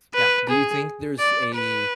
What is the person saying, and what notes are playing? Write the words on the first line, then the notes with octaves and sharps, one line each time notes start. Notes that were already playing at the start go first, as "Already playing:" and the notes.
Yeah. Do you think there's a
B4
G#4
D5
B4